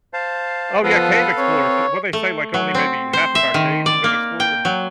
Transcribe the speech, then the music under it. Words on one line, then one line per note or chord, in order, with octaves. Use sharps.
Oh, yeah, cave explorers! Who what'd they say, like, only maybe half of our caves have been explored?
C5 F5 A5
F3 B3 A4 B4 F5
C4 C#5
A3
F#3
C4
C5
E5
D#3
D5
A#3
G5
F#3